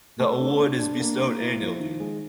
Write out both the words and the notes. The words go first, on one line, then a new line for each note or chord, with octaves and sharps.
The award is bestowed annually.
A3
D4
D4
D4
A#3
A#3
E4
F3
D#3
G#3